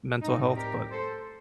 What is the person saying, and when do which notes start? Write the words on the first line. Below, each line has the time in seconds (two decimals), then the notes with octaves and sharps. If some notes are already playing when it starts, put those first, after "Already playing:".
mental health, but
0.22 A2 G3 C4 D#4
0.56 G4 A#4
0.91 A4 C5